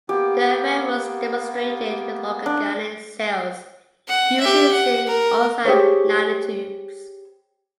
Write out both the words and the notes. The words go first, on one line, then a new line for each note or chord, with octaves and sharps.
The effect was demonstrated with organic cells using zinc oxide nanotubes.
A#3 B3 G4
D4
F#5
G4 E5
F#5
A#4
G4 G#4 C5 C#5